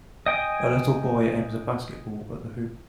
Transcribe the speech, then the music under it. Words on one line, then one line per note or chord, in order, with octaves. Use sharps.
A little boy aims a basketball at the hoop.
D#5 G5 G#5 D#6